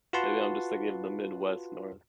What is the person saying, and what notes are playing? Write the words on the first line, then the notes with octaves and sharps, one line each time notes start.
maybe I'm just thinking of the Midwest North,
F4 F#4 B4 F#5 A5 C6